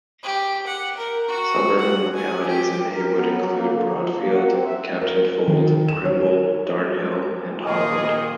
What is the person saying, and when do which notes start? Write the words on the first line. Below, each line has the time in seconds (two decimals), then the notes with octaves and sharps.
Suburban localities in Heywood include Broadfield, Captain Fold, Crimble, Darnhill and Hopwood.
0.23 G4
0.67 F#5
0.98 A#4
1.29 F#4
1.79 F#5
2.15 G#5
2.47 G4
2.95 A#4
3.16 B3
3.34 F#3
3.55 A#3
3.73 D3
3.92 F3
4.20 A#3
4.34 F#5
4.49 C4
4.66 E5
5.01 A#4
5.48 D#3
5.88 E7
6.05 C#5
7.65 A#2 D#3 G#4 D#5